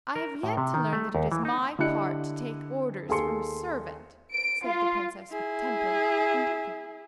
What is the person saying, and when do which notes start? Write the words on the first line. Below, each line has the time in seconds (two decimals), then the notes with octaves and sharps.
"I have yet to learn that it is my part to take orders from a servant," said the princess with temper and dignity.
0.15 A#4
0.43 A2
0.57 C3
0.74 D#3
0.93 A3
1.15 D#2
1.32 E3
1.45 D#4
1.79 D3 E4 G4 D#5 F#6 C#7
3.09 D#2 G#4 A4 C6 C#7
4.33 D7
4.65 F4
5.31 E4 G#4